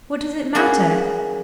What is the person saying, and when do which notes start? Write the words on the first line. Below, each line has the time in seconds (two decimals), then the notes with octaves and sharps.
What does it matter?
0.55 A#3 C#4 F#4 G#4 B4